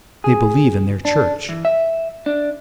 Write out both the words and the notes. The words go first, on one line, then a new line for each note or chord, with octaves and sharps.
They believe in their church.
G#4
D4
E3
E5
D4